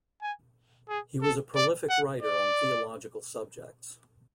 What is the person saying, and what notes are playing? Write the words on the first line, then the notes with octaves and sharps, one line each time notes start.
He was a prolific writer on theological subjects.
G#5
G#4
A4
D5
F#5
D5